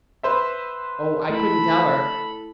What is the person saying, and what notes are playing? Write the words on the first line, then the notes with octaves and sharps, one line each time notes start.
"Oh, I couldn't tell her."
B4 C5 E5
A3 E4 A4 B5